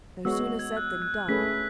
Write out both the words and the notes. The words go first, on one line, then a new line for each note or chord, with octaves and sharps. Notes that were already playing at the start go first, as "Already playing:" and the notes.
No sooner said than done.
G#3 B3 F#4 C#5 E6
G#6
F#6
F#6
A3 C#4 G#4 B4 B6
B6